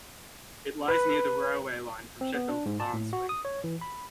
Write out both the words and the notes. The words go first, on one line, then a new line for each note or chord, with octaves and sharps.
It lies near the railway line from Sheffield to Barnsley.
B4
C4
B3
D4
G#2
A5
A2
F#4
D#6
C#5
E3
B5